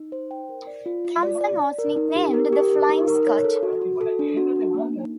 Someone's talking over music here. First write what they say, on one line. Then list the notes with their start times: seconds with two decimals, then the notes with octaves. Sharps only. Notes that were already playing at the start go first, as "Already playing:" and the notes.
Thomson was nicknamed the Flying Scot.
Already playing: D#4
0.12 C5
0.31 G5
0.49 A#4
0.67 D5
0.86 F4
1.05 F4
1.23 D5
1.41 D5
1.60 D5
1.78 A#4
1.96 D#4
2.16 G4
2.33 A#4
2.53 G4
2.71 A#4
2.89 D#4
3.08 A#4
3.27 C#5
3.44 A4
3.63 F#4
3.82 F#4
4.01 A4
4.19 D4
4.37 F#4
4.56 D4
4.74 A#3
4.93 D#4